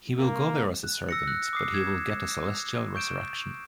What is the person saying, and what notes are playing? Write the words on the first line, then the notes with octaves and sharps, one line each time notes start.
He will go there as a servant, but he will get a celestial resurrection.
A#3
F#6
E6 A#6 C#7
F#6
D6 D#6 C7
G#6 E7
C#6 G6 D7 E7